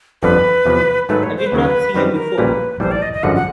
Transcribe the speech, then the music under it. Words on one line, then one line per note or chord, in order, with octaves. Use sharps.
I did not see you before.
G1 F2 D3 F3 B4
E2 C3 F3
G#2 D#3 F#3 A3 B4
C#5
C5
B4
D#2 C#3 F#3 A#4
B4
F#2 D#3 G3 C4 B4
A#4
A#1 A#2 G3 A#3 C#4 B4
A#1 A2 E3 G3 C5
D5
D#5
D#5
G#1 F#2 D3 F3 F#5
F#5